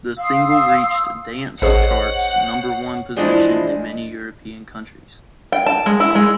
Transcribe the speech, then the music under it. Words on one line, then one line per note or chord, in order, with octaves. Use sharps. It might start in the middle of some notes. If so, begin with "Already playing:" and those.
The single reached dance charts' number one position in many European countries.
F5 C6 D#6 E6
A1 G#4 C5 C#5 D#5 F#5
E3 F3 G#3 D4 E4
G5
A5
G#3
E4
G#3